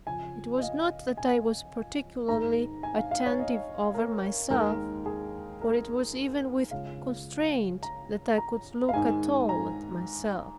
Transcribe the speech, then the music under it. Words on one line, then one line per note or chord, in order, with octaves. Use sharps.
It was not that I was particularly attentive over myself, for it was even with constraint that I could look at all at myself.
F2 C#3 F3 G#5
D#5
F5
G#5
G#2 D#3 G#3 A#5
G#5
F5
F5
C#5
D#5
A#4
D#2 D#3 G#3 A#4
G#4
A#4
C#2 C#3 G#3 F5
A#5
A#5
F5
G#2 D#3 G#3 G#5
A#5